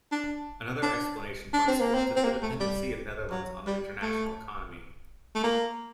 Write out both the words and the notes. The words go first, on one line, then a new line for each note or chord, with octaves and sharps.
Another explanation points to the dependency of the Netherlands on the international economy.
D4
D4
D4
C4
A#3
C4
C4
A#3
A3
G3
F#3
G3
A3
A3
A#3